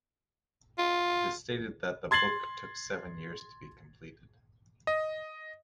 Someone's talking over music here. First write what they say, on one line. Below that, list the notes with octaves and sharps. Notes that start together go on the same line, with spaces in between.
It is stated that the book took seven years to be completed.
F4
C6 G#6 A6 C7 F#7
D#5